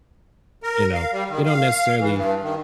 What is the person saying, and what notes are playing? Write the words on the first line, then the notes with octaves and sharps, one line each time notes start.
you know, you don't necessarily
A#4
F5
G3
D#3
F5
E3
G2
D#3